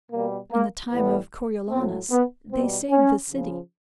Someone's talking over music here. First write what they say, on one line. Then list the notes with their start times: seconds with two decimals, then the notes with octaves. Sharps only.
In the time of Coriolanus they saved the city.
0.12 B2 G3 A#3
0.51 A#3
0.91 A2 E3 G3 B3
1.71 A2 F#3 C4
2.11 B3
2.51 B2 G3 C4
2.90 C#4
3.30 C#3 F3